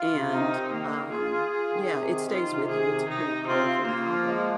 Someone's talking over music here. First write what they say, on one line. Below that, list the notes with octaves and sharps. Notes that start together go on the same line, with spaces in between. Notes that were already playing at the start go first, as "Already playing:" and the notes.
And, um, yeah, it stays with you. It's a pretty powerful novel,
Already playing: F4
C3
D#3 D#4
C4
D#3 A#3
D#3
F4 G#4
F4
F4
D#3
C3
D#3
D#3 F4
C3
D#3 G#4
C3
C3 D#4
C3
C4 F4
F4
A#3 F4
F3
G#3